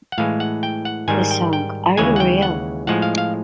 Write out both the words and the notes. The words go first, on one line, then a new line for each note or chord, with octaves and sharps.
The song Are You Real?
F#5
A2 E3 G#3 F5
F#5
G5
F#5
G#2 D#3 G3 G#5
G5
G5
D#2 C#3 E3 G#3 G#5
F#5
G5
F#5
A2 F3 G#3 F#5
F5
F5